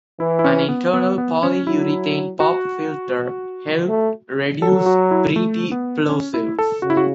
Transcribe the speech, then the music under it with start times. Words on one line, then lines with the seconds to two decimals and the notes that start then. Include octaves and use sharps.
An internal polyurethane pop filter helped reduce breathy plosives.
0.20 E3 E4
0.39 E4
0.44 C#4
0.69 B3
0.94 B3
1.18 B3
1.43 C#4
1.67 F#3 E4
2.40 F#4
3.88 A3
4.62 F#3 A4
4.86 F#4
5.11 E4
5.36 A3
5.72 B3
6.09 C#4
6.34 E4
6.59 A4
6.82 C#3 F#4
6.90 E4
6.97 F#4